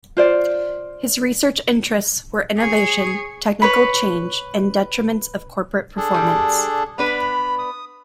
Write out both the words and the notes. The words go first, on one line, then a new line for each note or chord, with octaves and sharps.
His research interests were innovation, technical change and determinants of corporate performance.
F4 C5 D5
G#4 C#5
B4 C#5 B5
D4 G#4 A4
G3
B3 D4 B4 B5
D#6